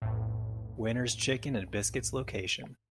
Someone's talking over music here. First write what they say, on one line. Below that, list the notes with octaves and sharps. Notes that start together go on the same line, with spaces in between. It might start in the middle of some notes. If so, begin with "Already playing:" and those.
Winner's Chicken and Biscuits location.
B1 F2 A2